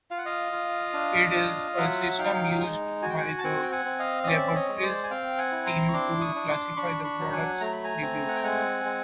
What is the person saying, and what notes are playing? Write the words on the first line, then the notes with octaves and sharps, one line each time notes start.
It is a system used by the laboratory's team to classify the products reviewed.
F4 F5
F#5
D#5 F5
F4
D4
F4
F#3 E5 F#5
D#4 F5 G5
G#3
F#4 G#5
G5
F#5 G#5
A5
C4 F#5 G#5
G5
F#5 G#5
C4
D#5 F5
D#5
C#4 D5 E5
C#5 D#5
G#3
C5 D5
G#5
C4 F5 G5
F#5 G#5
E4
A#5 C6
C#6
D4 C6 D6
C#6 D#6
D4
C6 D6
D4 B5 C#6
B5 C#6
F#3
F#5 G#5
A3 A#5
B5
G#5 A#5
C4
F#5
G5
G#3 F#5 G#5
G#3